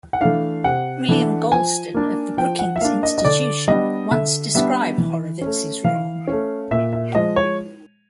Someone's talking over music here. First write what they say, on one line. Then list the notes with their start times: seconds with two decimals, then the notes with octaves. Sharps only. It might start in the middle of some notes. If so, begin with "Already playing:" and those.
William Galston of the Brookings Institution once described Horowitz's role.
0.13 F#5
0.21 E3 A3 D4 F5
0.64 C3 F#5
1.09 E3 A3 D4
1.51 F3 G#5
1.94 A#3 D4
2.37 F3 G5
2.59 F#5
2.76 E5
2.81 A#3 D4 F5
3.03 D#5
3.18 D#5
3.25 D3 D5
3.68 G3 B3 D4 D#5
4.11 D3 E5
4.55 G3 B3 D4 E5
4.98 E3
5.42 A3 C#4
5.84 E3 F5
6.27 A3 C#4
6.71 A#2 E5
6.93 E5
7.14 F3 G#3 D#5
7.36 C#5